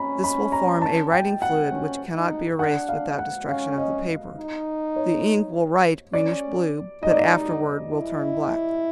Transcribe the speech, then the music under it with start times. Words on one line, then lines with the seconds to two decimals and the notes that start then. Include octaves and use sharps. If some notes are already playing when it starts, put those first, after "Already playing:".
This will form a writing fluid which cannot be erased without destruction of the paper. The ink will write greenish blue, but afterward will turn black.
Already playing: C#4 A#5 B5
0.24 B5
0.52 A#5
0.82 A5
1.12 G5
1.42 F#5
1.71 C#4
2.15 D#4
2.59 D4 F#5
2.89 F5
3.19 F#5
3.49 C#4 F5
3.78 D#5
4.37 D#4
4.96 C#5
6.13 C#4 D5
7.03 D#4 D#5
7.11 D5
7.18 D#5
7.91 E4